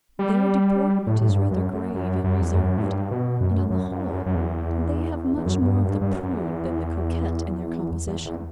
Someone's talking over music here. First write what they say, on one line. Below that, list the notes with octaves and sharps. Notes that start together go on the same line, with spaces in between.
Their deportment is rather grave and reserved; and, on the whole, they have much more of the prude than the coquette in their composition.
G3
A2
A2
G2
F#2
F#2
F#2
F#2
E2
F#2
A2
G2
B2
F#2
F#2
F#2
E2
F#2
F#2
E2
E2
F#2
F#2
G2
F#2
G2
G2
F#2
F#2
E2
E2
E2